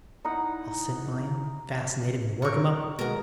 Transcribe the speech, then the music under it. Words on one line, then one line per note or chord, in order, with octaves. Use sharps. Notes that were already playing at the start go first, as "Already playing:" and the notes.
I'll sit by him, fascinate him and work him up.
D#4 E4 F#5
A#4 C#6
B2 G#3 B3 A#4 A#5